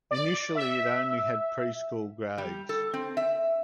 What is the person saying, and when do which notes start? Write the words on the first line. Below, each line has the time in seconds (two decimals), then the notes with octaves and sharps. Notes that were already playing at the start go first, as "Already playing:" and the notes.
Initially it only had preschool grades.
0.11 D5
0.55 E5
2.38 G3
2.69 A4
2.93 C4
3.17 E5